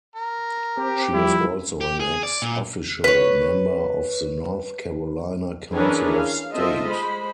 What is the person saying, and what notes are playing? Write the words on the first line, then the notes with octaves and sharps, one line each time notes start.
She was also an ex offico member of the North Carolina Council of State.
A#4
C4 G4
F3 G3 E4
G4
G#4
D5
A#2
B4 C#5
E3 C#4 D4 G#4 A#4 B4
F5
C4 F4 A4 C5 D#5 E5
G#3 C5 B5